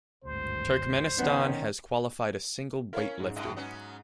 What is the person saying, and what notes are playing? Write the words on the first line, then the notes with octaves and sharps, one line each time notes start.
Turkmenistan has qualified a single weightlifter.
G#1 D2 G2 C5
D#3 B3 C#4
C#4 E4 A#4 C#5 F5
G#2
F#2 A2 D#5
F#3 B3 C#4